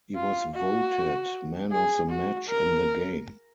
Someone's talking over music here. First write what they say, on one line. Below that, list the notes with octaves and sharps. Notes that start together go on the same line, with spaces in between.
He was voted Man of the Match in the game.
F4
F#4
G#4
F#4
A#4